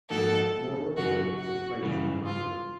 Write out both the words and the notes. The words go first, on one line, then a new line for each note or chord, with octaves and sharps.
More recording took place in London.
G#2 F3 A#3 D#4 F#4 A4
F#2 C#3 F#3 F#4
F#4
F#2 C#3 E3 G3
F4